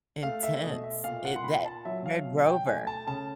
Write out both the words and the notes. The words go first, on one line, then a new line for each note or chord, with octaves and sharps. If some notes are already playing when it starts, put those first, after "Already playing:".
Intense. It that Red Rover.
A3 F5
E5
B2 D#5
E5
A#2 F5
F#5
C6
A#2 B5
A5
F#3 E5
F5
B2
G5
A3 G#5
A5
C#3 A5